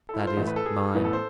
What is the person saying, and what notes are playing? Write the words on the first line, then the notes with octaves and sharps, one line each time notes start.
That is, mine.
E4 A4
F4
C5
A1 A2 E3 A3
B4
A4
G#4
A1 A2 E3 B3
A4
C5